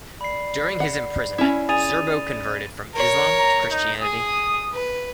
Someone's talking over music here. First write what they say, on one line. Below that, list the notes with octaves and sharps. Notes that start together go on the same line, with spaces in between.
During his imprisonment, Zerbo converted from Islam to Christianity.
D5 B5 C7
F#5
C#4 E4
G#4 A6 D#7 F7
A#4 C#5
A#5
D#4
G#4 D#6
B4